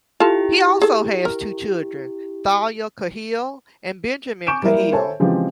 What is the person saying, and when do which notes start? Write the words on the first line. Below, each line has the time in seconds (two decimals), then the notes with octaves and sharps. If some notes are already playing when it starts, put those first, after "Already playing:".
He also has two children, Tahlia Cahill and Benjamin Cahill.
0.20 E4 F4 G4 A4 A5
0.82 G#4 A4
1.25 A#4
4.47 G#5 C#6 D6 G6 D7 E7
4.63 G3 A#3 E4 A#4 E5
4.92 A4 C5 C#5 E5 G#5 A5
5.20 C#3 E3 F3 G#3 C4 G4